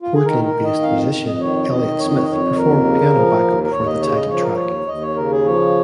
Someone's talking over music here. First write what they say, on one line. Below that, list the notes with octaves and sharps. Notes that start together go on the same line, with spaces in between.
Portland-based musician Elliott Smith performed piano backup for the title track.
F4
G#4
D#3 A#4
A#4
D#3
D#5
F2 F5
F2
D#5
D#3 C#5
D#3 D#5
F2 C#5
D#5
C#5
D#5
F2 C#5
D#2 A#4
C#3
F3
D#2
A#4
D#2 C#5
D#5
C#3 C#5
D#5
F3 C#5
A#4
D#2 C#5
D#2 D#5
C#5
C#3 A#4
G#4
F3 C#5